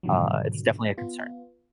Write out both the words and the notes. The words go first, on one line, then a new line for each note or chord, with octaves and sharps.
uh, it's definitely a concern.
G#2 B2 D3 D#3 F3 F#3
B3 F4